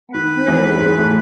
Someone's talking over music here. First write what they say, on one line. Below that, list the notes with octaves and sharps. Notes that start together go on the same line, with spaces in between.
I've heard of it.
D#3 B4
E2 E3
G#2 G#3
A2 A3